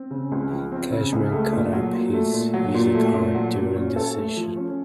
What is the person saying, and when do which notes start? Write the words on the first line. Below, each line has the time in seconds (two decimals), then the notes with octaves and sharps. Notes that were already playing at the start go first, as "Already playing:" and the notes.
Cashman cut up his Visa card during the session.
Already playing: C4
0.11 C#3
0.32 C#2
0.51 F3
0.72 C4
0.92 C#3
1.12 C#2
1.32 A3
1.53 A#2
1.73 F#3
1.93 A#2
2.13 A3
2.34 A#2
2.54 F#3
2.74 A#2
2.95 A3
3.15 A#2
3.35 F#3
3.55 A#2
3.76 C#4
3.96 A4
4.16 A3
4.37 F3
4.57 C#4